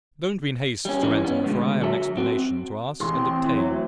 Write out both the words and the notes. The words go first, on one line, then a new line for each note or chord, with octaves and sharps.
Don't be in haste to enter, for I have an explanation to ask and obtain.'
G3 C#4
C#3 E3 G3 C#4 D#4
B3 C#4
D2 G#2 B2 D3 G#3
F#3 A4 E5
C4 F#4
A1 C6
C4
E3
F#3
D2